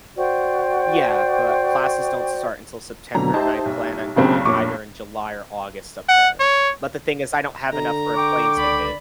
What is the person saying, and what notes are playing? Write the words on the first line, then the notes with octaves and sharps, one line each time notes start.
Yeah, but classes don't start until September, and I plan on going either in July or August up there, but the thing is I don't have enough for a plane ticket.
F#4 C5 D5 G5
F2 B2 D3 F#3 A#5
D#4 G4 C5 D#5 E5 A5
B1
B1 G2 C#3 F#3 A#3 C4
F2 A#2 C#5 C#6 D6
F#5
C#5
D3 A#5
G5 C#6 D6
C#2 D5 B5